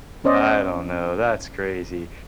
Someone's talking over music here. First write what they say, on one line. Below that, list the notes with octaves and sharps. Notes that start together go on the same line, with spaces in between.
I don't know, that's crazy.
B3 C#4 C5 D5 D#5